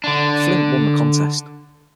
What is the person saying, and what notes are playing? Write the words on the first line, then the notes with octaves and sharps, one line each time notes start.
Flint won the contest.
D3 D4